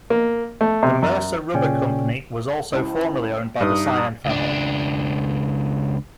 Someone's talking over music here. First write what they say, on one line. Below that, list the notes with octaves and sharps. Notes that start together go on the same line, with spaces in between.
The Mercer Rubber Company was also formerly owned by the Sayen family.
A#3
A3
C3
F#2
A#2 C#3 C#4 D5 G5
C#2 E4 C5 A5
G2 D#4 B4 E5 D#6
A5 A#5 F#6
C#2 D4